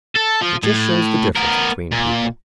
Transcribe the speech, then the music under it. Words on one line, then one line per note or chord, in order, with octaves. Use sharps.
It just shows the difference between people.
A4
F3
A2
B3 A#4
A#2